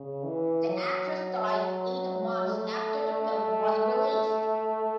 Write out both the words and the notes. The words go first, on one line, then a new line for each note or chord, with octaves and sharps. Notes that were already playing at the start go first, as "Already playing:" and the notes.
The actress died eight months after the film was released.
Already playing: C#3
E3
F#3
A3